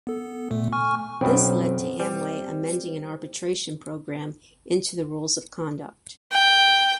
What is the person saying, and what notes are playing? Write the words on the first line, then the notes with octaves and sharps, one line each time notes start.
This led to Amway amending an arbitration program into the rules of conduct.
B3 A4
A#2 A3
G#5 C#6 F6
B1 F#2 C4 C5 G5 B5
G3
G5